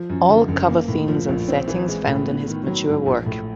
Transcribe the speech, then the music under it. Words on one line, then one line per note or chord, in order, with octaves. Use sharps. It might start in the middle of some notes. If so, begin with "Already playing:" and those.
All cover themes and settings found in his mature work.
Already playing: F3
F#2
D3
F#1
A#3
A2
F3
A#1
C4
E3
G#3
A2
B3
D#3
F#3
G#2
A#1
A2